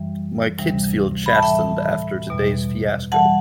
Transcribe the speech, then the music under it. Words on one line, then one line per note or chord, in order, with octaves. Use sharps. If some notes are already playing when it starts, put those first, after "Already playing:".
My kids feel chastened after today's fiasco.
Already playing: F#2 E3 G3
D2 C3 E3 G3
B5
A5
A2 E3 G3 E5 G5
E2 B2 G3
E3 G3 F#5 A5